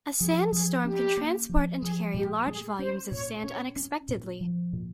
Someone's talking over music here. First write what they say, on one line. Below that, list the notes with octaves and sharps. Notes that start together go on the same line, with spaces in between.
A sandstorm can transport and carry large volumes of sand unexpectedly.
F3 G#4
F3 G#4
C#4 G4
A#3
F3
F3 G#4
A#2 G4
G#3 G#4
C#4 C5
A#2 C#5
C#4 C#5
C#4
A#2
F3
A#2